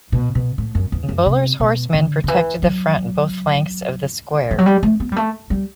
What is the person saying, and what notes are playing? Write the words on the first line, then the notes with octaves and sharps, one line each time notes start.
Buller's horsemen protected the front and both flanks of the square.
B2
B2
A2
F#2
E2
F#2
C3
B2
D3
D3
E3
F#3
E3
F#3
G3
A3
B3
G3
A3
G3